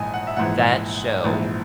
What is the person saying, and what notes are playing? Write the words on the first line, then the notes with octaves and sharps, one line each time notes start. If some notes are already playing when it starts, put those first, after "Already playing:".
That show,
Already playing: A#1 G#2 E3 D#5 G#5
F#5
E5
A#1 G#2 E3 F#5
A#1 G#2 E3